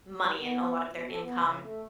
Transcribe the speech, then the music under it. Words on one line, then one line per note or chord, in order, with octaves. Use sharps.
money and a lot of their income.
G3
B3
B2
A4
B3
C#3
A3